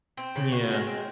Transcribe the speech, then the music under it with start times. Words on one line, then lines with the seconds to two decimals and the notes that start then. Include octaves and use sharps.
Mm, yeah.
0.17 C4
0.36 C#3
0.52 F#4
0.71 G#3
0.87 C4